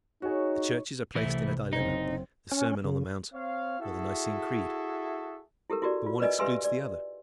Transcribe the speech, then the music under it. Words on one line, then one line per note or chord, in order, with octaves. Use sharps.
The churches are placed in a dilemma: the Sermon on the Mount or the Nicene Creed--the one excludes the other.
D#4 F#4 G#4 C#5
C2 C3 E3 A3 E4
F#1 C4 D#4
C#4
C#3
C4 C#5 F5
E4 F#4 G#4 A4 E5
E4 G4 A4 A#4
E4 F#4 G4 A#4 D5
F4
A#4 B4 D5 D#5 G#5
G4 B4 E5 G#5 C6 E6
D5